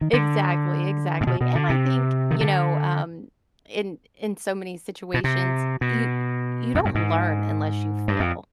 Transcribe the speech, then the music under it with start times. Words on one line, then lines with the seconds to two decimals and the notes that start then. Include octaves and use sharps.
Exactly, exactly, and I think, you know, um, in in so, many situations, you y you don't learn unless you fail,
0.01 D#3
0.13 D3
1.21 G#2
1.27 B2
1.41 B2
1.55 D3
1.70 C3
2.31 D#3
2.41 D3
5.14 B2
5.24 C3
5.81 B2
6.75 F2
6.85 G2
6.95 G#2
8.08 G2
8.20 F2